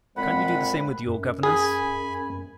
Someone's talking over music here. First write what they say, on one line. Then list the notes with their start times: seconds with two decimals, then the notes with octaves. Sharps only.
Can't you do the same with your governess?
0.16 F2 A#2 G#3 C4 F#5 B5
1.06 F#2
1.43 G#4 G#5 B5